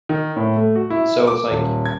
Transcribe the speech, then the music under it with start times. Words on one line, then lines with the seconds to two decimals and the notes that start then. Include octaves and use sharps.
and so, it's like
0.09 D#3
0.36 A2
0.56 A3
0.75 F#4
0.90 E4
1.27 D6
1.51 D#1
1.85 G#6